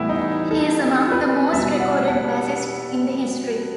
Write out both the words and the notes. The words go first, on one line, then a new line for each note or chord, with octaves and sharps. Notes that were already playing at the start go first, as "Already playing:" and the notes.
He is among the most recorded bassists in history.
Already playing: A2 E3 G3 B3 E4
D#4
A4
B4
B2 G3 B3 E5
F#5
A5